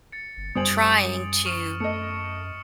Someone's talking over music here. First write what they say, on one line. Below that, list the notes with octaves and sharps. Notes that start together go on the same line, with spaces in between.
trying to
A6 C#7
G1
F#2 G3 C5 G#5 D#6 D7 F#7
C#6 F6 E7
A3 D#5 C#7